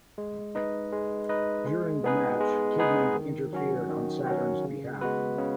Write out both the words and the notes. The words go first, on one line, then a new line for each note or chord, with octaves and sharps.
During the match, Kidman interfered on Saturn's behalf.
G#3
D#4 B4 D#5
G#3
D#4 B4 D#5
G#3
B3 D#4 G#4 B4
G#3
B3 D#4 G#4 B4
D#3
F#3 C#4 F#4
D#3
F#3 C#4 F#4
C#3
G#3 B3 F#4 B4
C#3